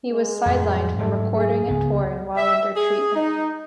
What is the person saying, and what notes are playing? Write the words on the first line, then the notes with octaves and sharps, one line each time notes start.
He was sidelined from recording and touring while under treatment.
G#3
F2 A2 F3
G#2 F#3 A3
G#4
C#2 B3
E5
G#4
D#4